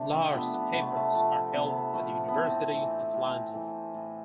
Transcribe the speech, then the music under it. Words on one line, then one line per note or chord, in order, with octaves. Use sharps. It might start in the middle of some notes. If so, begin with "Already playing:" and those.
Lahr's papers are held by the University of London.
Already playing: C3 A3 D4
C4
F3 A3 B3
B3
C3 B3
A3
A3
F3 A3
C3 B3
F3 A3
B3
A2 C4
E3 A3
A2
E3 A3
A2